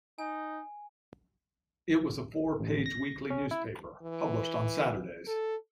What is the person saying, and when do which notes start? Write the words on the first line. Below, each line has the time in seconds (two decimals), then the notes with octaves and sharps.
It was a four-page weekly newspaper, published on Saturdays.
0.18 D#4 G#5
2.60 A1
2.86 A#6
3.30 C#4
3.51 E4
4.02 E3
5.27 A4